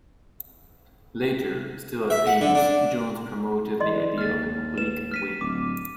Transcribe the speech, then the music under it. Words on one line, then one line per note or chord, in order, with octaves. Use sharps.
Later, still at Ames, Jones promoted the idea of an oblique wing.
E5
F#5
D3
D4
E3 D5 D#5 C6
D#2 F6 A6
B4 E7
F6 B6 D#7
D1 D6